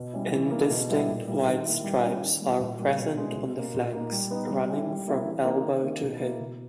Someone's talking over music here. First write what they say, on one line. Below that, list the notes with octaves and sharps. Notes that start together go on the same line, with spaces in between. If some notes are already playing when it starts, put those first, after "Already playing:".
Indistinct white stripes are present on the flanks, running from elbow to hip.
Already playing: B2
G3 C#4 E4
E3
A#3 D#4
B2
G3 B3 E4
A#2
G3 A#3 E4
D#3
A#3 E4
G3
C#4 E4
D#3
G3 A#3 E4
A#2
G3 A#3
B2
G#3 C#4 E4
B2
A#3 C#4
A#2
A#3 D#4
G3
B3 D#4
G3
C#4 E4
G3
A#3 E4
E3
A#3 D#4
D#3
A#3 D#4
B2
A#3 E4
B2